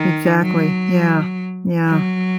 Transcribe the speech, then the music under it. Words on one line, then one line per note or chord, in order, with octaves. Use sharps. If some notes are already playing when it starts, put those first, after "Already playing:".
Exactly. Yeah. Yeah.
Already playing: D#3
F#3
F#3